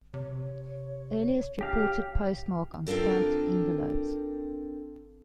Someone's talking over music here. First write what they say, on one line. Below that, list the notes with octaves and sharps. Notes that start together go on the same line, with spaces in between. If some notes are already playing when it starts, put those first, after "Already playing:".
Earliest Reported Postmark on stamped envelopes.
C3 C#5
G4 F5
C4 D4 F4 A4 A#4